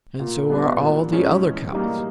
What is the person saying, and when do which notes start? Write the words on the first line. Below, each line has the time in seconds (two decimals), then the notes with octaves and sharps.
And so are all the other cows.
0.20 A#2
0.49 G3 B3 D4
0.81 A#2
1.12 F3 G#3 C#4
1.42 E3
1.73 G3 A#3 D#4